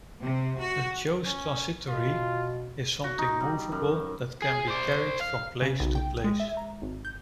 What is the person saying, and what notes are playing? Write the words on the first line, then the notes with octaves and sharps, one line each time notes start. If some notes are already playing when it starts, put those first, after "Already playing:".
A chose transitory is something movable, that can be carried from place to place.
C3
F#4
C#4
B2 F4
F#4
D#4
G3
F#2
G#4
C5 D5
F5
C#3
B1
G5
G#3
E5
A#5
G#1
G6